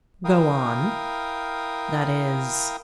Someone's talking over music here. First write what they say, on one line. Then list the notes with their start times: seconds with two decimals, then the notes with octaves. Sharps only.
"Go on--that is?"
0.25 E4 A#4 F5 G5 D#6